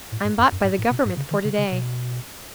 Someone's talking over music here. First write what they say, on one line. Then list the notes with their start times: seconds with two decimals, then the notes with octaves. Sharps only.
"I'm bought by the government for to-day."
0.12 A2
0.25 G#2
0.38 F#2
0.52 F#2
0.64 G#2
0.78 A2
0.91 B2
1.05 G#2
1.17 C#3
1.31 D#3
1.45 C#3
1.58 C#3
1.72 B2